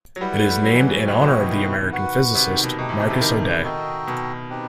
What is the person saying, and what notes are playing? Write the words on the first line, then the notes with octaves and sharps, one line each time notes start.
It is named in honour of the American physicist Marcus O'Day.
F#3
G3 E4 B4 F#5
A3
G3
F#3
E3
F#3
A2 F#4 B4 D#5 G5
B2
C3
D#3
F#4 B4 F#5
C3
D#3
B2
B2 A3 D#4 G4
A2
B2
C3
D#3
D#4 F#4 A4 D#5 G5
B2
C4 D#4 G4 B4